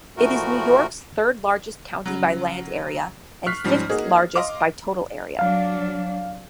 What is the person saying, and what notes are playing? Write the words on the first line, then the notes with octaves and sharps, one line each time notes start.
It is New York's third-largest county by land area and fifth-largest by total area.
A#2 E3 F3 A3 F#4 A#4
C#3 F#3
C#6 F6 F#6 B6 C7
G#2 F3 G3 C#4
A#3 D#4 F#4 G#4
D#5 F5 C6 D6
F#3 D4 F5